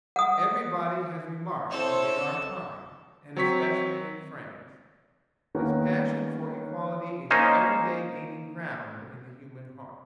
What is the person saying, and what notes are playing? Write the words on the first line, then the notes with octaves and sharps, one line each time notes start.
Everybody has remarked that in our time, and especially in France, this passion for equality is every day gaining ground in the human heart.
F#5 D#6
C4 E4 A4 C5 C#5
F#3 C4 C#5 C#6 B6
D#3 A#3 B3 C#4
A#3 C#4 D#4 C5